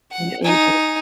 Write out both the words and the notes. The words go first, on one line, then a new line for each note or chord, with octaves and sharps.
And able.
F#5
D#4 G#5